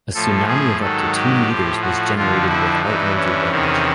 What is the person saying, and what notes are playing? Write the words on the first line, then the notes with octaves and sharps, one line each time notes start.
A tsunami of up to two meters was generated without major damage.
A2 F3 A4
G#4
G#2 D#3 F#3 A4
G4
A2 F3
F#4
F2 D3 F3 F4
E4
G2 E3 D#4
C#4
E2 C3 D#3